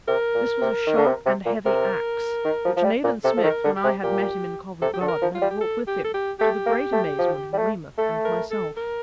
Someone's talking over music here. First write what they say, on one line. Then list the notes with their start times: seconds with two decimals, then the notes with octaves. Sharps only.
This was a sharp and heavy axe, which Nayland Smith, when I had met him in Covent Garden, had brought with him, to the great amazement of Weymouth and myself.
0.08 C3 A#4
0.34 A#2
0.61 C3
0.87 D#3
0.97 D3
1.06 C3
1.26 C3
1.46 A#2
1.65 C3 A#4
2.44 D#3
2.65 F3
2.77 F3
2.84 G3
3.04 A#2
3.24 C3 A4
3.37 F3
3.43 D#3 A4
3.50 A#4
3.64 D3
3.76 G4
3.84 C3
4.03 A#2 G4
4.81 C3 A4
4.94 G4
5.00 D3 A4
5.08 A#4
5.22 F3
5.35 F4
5.41 G3
5.51 G4
5.61 A4
5.87 G4
6.04 A4
6.14 G4
6.40 A3 G4
6.66 A#3
6.93 A3
7.19 F3
7.53 G3
7.58 A3
7.98 A3 A4
8.25 A#4
8.51 A4
8.77 A#4